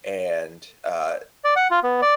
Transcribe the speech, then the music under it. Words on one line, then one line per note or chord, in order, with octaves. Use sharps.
and, uh,
D5
F#5
F4
B3
D5